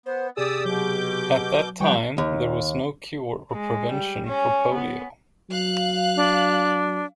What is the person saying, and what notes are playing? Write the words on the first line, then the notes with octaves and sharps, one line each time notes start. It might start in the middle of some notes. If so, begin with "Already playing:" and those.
At that time, there was no cure or prevention for polio.
B3 C5
C3 G4 G#4 D5 D#6 E6
B2 F#3 D6 G6
F3 G3 B3 G5 G#5 C#6
D#2
G#3
G3
C#4
B3
F#3 F5 F#6
D4